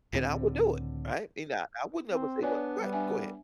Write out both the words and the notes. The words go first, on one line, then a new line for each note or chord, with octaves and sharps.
and I would do it. Right? And I I would never say, "Well" right, go ahead.
C#2 A2 D3 C4
C4
B3 D4 C#5 D5 G#5
G3
D4 E5 G#5